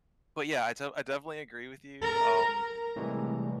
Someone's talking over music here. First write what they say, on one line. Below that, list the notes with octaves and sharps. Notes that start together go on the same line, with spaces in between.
But yeah, I de I definitely agree with you, um,
A#4
A2 C3 E3 G3 G#3